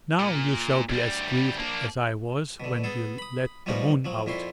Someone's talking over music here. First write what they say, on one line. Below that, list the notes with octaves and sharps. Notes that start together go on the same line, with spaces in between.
'Now you shall be as grieved as I was when you let the moon out.'
A#2
D2 G3
A#3 D4
B2 D3
B3 G#4 A4
B5 D#6
B2 F3 G3 C#4 D#4 A#4
F3 F#3
F2 A#2 C#4 E4 C6